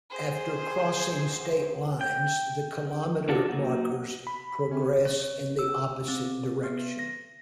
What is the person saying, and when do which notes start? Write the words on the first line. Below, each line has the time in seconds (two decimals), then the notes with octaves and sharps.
After crossing state lines the kilometer markers progress in the opposite direction.
0.10 G#4 C5
2.01 G5
3.29 D4 F4 F#4 A4
3.49 F#3 A#3 D#4
4.27 B5
4.71 C3 C#4
5.05 C#5
5.59 E6
6.08 C4
6.64 B3
6.99 A#6